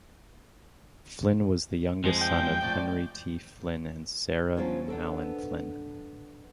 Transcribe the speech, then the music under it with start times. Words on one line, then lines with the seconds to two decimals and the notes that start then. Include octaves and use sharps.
Flynn was the youngest son of Henry T. Flynn and Sarah Mallon Flynn.
2.04 F2 F3 G#3
2.21 G5
2.62 F3 A3 D5
4.57 F#3 C#4 D4 F4 C5 C#5
4.88 B3 D4 A4